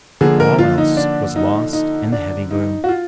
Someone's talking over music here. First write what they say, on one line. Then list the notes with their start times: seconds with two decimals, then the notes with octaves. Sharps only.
All else was lost in the heavy gloom.
0.21 D3 F3 A#3 G#4
0.40 A#4
0.59 F4
0.78 D#4
0.97 D4
1.36 D#4
1.73 D#4
2.12 D4
2.51 D#4
2.84 F#4
2.89 F4